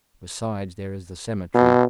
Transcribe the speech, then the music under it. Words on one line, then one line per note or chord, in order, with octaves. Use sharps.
Besides, there is the cemetery.
B2